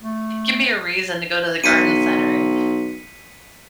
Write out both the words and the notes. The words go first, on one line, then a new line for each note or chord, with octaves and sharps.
give me a reason to go to the garden center and
A3
B1 B6 C#7 D#7